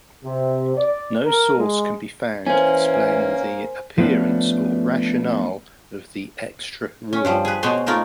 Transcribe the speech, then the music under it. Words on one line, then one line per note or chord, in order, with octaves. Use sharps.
No source can be found explaining the appearance or rationale of the extra rule.
C3
D5
A#4
G#3
E3 A#3 C#4 C5 G#5
F3 A3 B3 C#4 D4
C#4
G2 F3 G3
G#4 B4
B2 G#4 C5 C#5 D#5 C6
A3 A#3 D#4 F4 A#4 D5